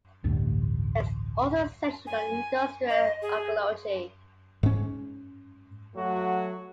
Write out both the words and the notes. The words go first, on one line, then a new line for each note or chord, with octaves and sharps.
There's also a section on industrial archaeology.
A1 D2 G2
G#5
D#5
G#4
G#2 C#4
F#3 A3 F#4